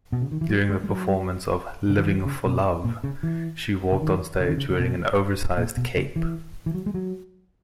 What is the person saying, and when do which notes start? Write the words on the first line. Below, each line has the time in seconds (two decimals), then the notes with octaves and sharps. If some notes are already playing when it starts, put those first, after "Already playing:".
During the performance of "Living for Love", she walked onstage wearing an oversized cape.
0.12 B2
0.22 C#3
0.31 D#3
0.41 E3
0.50 F#3
0.69 G#3
0.84 G#3
0.89 F#3
1.90 C#3
1.98 D#3
2.06 E3
2.26 C#3
2.45 B2
2.84 A#2
3.04 C#3
3.23 E3
3.92 C#3
4.01 D#3
4.40 C#3
4.48 D#3
4.57 C#3
4.70 C#3
4.80 B2
5.58 A#2
5.77 B2
5.97 C#3
6.16 E3
6.66 E3
6.74 F#3
6.86 G#3
6.94 F#3